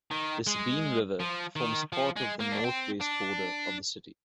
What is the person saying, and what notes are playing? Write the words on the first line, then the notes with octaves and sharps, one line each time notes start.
The Sabine River forms part of the northwest border of the city.
D#3
G#3
F3
D#3
F3
G#3
A#3
D4
C4
D4